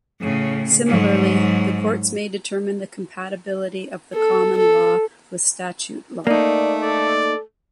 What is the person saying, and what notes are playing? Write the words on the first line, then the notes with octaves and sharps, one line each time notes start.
Similarly, the courts may determine the compatibility of the common law with statute law.
A2 C#3
G#2 F#3
A4
A4
A3 A#3 D#4 D5
A4 D5